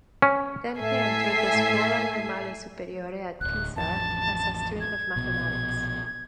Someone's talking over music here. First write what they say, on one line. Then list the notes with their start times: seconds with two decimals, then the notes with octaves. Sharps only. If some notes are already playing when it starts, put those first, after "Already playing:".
Then he entered the Scuola Normale Superiore at Pisa as a student of mathematics.
0.22 C#4
0.78 A2 A4 E5 G#5 C7
3.41 D1 G#1 F#6
3.76 A1 F2 A5
4.80 G#6
5.16 A#1 B2